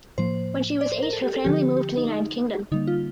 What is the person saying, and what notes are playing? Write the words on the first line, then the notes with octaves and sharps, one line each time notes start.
When she was eight her family moved to United Kingdom.
A2 F3 A#3 C5
D5
C5
A#4
A4
G4
A4
D3 F3 C4 G4
G4
D#4
D#4
D3 G3 A#3 D#4
F4